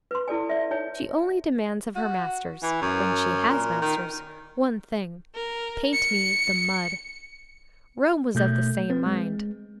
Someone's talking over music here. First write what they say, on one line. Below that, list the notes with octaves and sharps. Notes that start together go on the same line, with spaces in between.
She only demands of her masters--when she has masters--one thing: "Paint me the mud." Rome was of the same mind.
B4 C6
E4 A4 D5 G#5
D5 E5
D#4 C#5 G#5
F#4
E3
F#2
A#2
D#3
A#4
C#7
B2 A3 G6
C4 B4
G#3